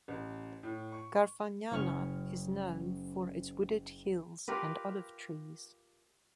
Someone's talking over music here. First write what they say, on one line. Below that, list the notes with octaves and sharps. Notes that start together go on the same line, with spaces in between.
Garfagnana is known for its wooded hills and olive trees.
A1
A2
C#6
F#1 C#4 C#6 F6
F4 G4 A#4 B4